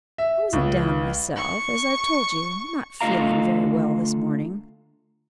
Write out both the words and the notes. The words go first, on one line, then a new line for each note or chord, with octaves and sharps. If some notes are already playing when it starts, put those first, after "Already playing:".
I wasn't down myself--as I've told you, not feeling very well this morning.
E5
C#2
C#6
D3 A3 F4 D#5 F5 A#5